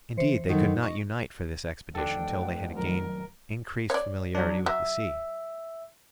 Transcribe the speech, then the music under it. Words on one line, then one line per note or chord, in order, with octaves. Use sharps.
Indeed, they could not unite for this expedition till they had gained increased familiarity with the sea.
E3 C5 C#7
F#2 D3 D#3 D#4
D#5 C#6
F1 D#3 D4 F#4 A4 G5
F#5
A#1 D#3 F#3 A#4
C#5 D5
F#3 D4
F#3 E5